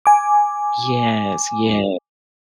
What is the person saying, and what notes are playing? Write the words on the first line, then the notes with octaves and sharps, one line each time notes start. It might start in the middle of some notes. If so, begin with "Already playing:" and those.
Yes, yes,
G#5 D6